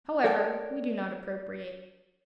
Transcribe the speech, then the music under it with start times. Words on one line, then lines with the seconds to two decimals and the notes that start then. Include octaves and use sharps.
However we do not appropriate.
0.24 A4 A#4 C#5 D5 G5 A5